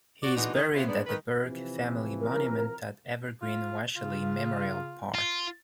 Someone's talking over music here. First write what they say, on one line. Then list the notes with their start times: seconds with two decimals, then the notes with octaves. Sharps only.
He is buried at the Burke family monument at Evergreen Washelli Memorial Park.
0.23 F#4 D5
0.36 E3 G#3 B3 D4 D#4 F#4
0.53 D#3
0.75 B3 C#4 E4 F4 G4 C5
0.87 G#2 B3 D4
1.07 D#3 B4
1.45 C3 E3 F3
2.20 A#4
3.42 F4
3.97 C#3 F4
5.14 F4